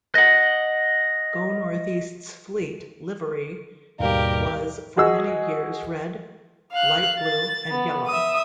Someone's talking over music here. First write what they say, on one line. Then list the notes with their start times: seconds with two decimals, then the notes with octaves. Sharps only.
Go North East's fleet livery was for many years red, light blue and yellow.
0.15 D#5 F#5
4.00 D#2 G#2 B2 G3 G4 A#4 D5 F5
4.97 F#4 G#4 D#5 E6
6.72 F5 F#6
7.20 A6
7.71 B3
8.07 E5 D#6